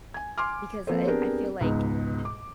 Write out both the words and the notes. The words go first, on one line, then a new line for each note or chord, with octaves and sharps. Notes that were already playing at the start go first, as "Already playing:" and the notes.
because, uh, eh, I feel, like,
G#5 G#6
G#5 C6 D6 F6
F3 A#3 C4 A4 B4 C5
B3 C4 D4 G4 G#4 A#4
C#2 G#2 B2
D6